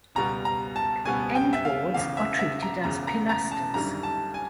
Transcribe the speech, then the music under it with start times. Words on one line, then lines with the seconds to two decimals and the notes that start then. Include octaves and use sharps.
End boards are treated as pilasters.
0.15 C#2 B2 G3 B3 A#5
0.45 A#5
0.76 A5
1.05 C#2 B2 G3 B3 G#5
1.35 G5
1.53 E5
1.65 F5
1.94 E1 E2 C#3 F5
2.17 E5
2.39 E5
2.63 A#5
2.84 E1 E2 C#3 A#5
3.07 A#5
3.29 A#5
3.51 A5
3.74 G#1 F#2 D3 G3 A#5
4.03 A5
4.34 G#5